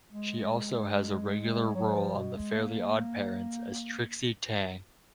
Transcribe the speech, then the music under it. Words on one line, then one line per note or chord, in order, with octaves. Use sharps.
She also has a regular role on "The Fairly OddParents" as Trixie Tang.
G#3
F#3
F3
B2
G#3
A#3